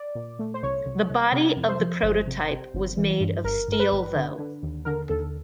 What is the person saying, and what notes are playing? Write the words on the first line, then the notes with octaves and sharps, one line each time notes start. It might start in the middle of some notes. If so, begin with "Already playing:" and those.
The body of the prototype was made of steel though.
Already playing: D5
A#2
A3
C5
C2 C#5
C2
C2
C3
F2
C5
F3
G1
C3
C3
G1
E3
G2
G1 A#4
G2 A#4
B4
G1
D3
D3
D#2
D3 A#4
D#2 A4